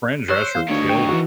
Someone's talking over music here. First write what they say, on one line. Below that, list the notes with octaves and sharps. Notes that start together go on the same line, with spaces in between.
Fran Drescher killed it.
C5 C#5 E6 F#6
E2 F5
D2 D#3 C#5
G5
E3 F#4